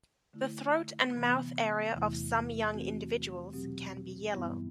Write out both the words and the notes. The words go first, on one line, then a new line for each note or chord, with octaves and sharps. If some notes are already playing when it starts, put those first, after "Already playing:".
The throat and mouth area of some young individuals can be yellow.
D3 A3 E4
C3 E3 B3
E2 C3 E3 A3 E4
E3 A3 C4 F#4
B2 F#3 C4 G4
G2 E3 G3 B3 E4